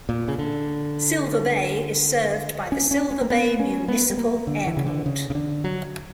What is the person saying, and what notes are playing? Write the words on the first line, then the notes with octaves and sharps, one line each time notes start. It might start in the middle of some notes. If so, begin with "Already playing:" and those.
Silver Bay is served by the Silver Bay Municipal Airport.
A#2
C#3
D3
C#4
C#4
C#4
A#3
B3
C#4
B3
G3
A#3
D3
E3
C#3
D3
C#3
C#3
D3
F#3